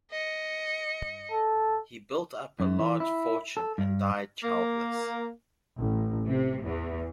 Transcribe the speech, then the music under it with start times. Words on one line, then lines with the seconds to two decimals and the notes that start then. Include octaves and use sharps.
He built up a large fortune and died childless.
0.11 D#5 C#7
1.32 A4
2.60 F#2
2.79 E3
3.00 E4
3.57 A4
3.78 G2
4.43 A#3
5.78 A1
6.26 C3
6.62 E2